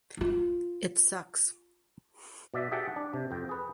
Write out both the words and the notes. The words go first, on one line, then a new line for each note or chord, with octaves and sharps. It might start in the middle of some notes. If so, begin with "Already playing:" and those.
It sucks.
E4 F4
B2 D5 E5
G4 G#4 E5 F#5 G5 A5
D4
C3
F2 G5
G#4 B4